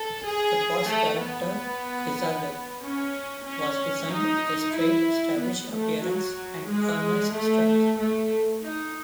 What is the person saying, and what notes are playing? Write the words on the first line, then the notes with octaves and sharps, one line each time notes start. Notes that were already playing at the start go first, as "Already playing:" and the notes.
The boss character, Krizalid, was designed with a straight, stylish appearance and earnest strength.
Already playing: A4
G#4
A3
B3
C#4
C#4
D#4
E4
B3
A3
F#3
G#3
A3
A3
D#4